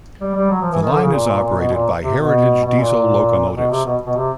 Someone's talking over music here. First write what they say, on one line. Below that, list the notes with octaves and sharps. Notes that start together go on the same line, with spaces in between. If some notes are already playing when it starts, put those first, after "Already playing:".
The line is operated by heritage diesel locomotives.
G3
G3
F#3
F3
E3
D#3
D3
C#3
A#2
A#2
A#2
B2
A#2
C3
B2
B2
A#2
B2
C3
B2
B2
C3